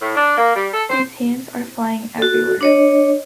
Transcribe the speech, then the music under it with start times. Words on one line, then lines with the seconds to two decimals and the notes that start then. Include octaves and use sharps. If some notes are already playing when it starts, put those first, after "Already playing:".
His hands are flying everywhere.
0.01 A2
0.15 D4
0.37 A#3
0.55 G3
0.72 A4
0.89 C5
2.18 F#4 A4
2.61 D4 C#5 D#5